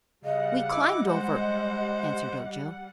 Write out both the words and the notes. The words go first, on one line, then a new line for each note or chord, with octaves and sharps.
"We climbed over," answered Ojo.
C#3 G3 D#5 F#5
E4 D#5 D6
G#3 C5